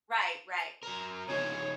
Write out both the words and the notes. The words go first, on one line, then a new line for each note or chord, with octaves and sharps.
Right, right.
F#3 A#4
F3 D#4 F4 C#5